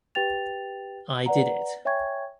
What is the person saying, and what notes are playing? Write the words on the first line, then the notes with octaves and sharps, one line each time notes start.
I did it.
G4 B4 G5 A6 F7
B4 D5 F#5 A#5
C#5 E5 G5 G#5 C#6 G#6